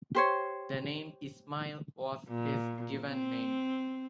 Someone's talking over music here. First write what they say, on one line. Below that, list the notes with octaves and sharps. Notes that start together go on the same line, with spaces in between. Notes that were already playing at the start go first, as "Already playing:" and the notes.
The name Ismail was his given name.
G4 C5 C#5
A#2
C4